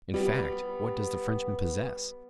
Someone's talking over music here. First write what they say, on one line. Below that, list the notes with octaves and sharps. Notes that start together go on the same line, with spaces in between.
In fact, what does the Frenchman possess?
G3 B3